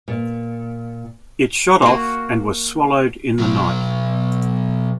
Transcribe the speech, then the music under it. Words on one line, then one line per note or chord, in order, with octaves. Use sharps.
It shot off and was swallowed in the night.
A#2
A#3 F#4
B2 F#3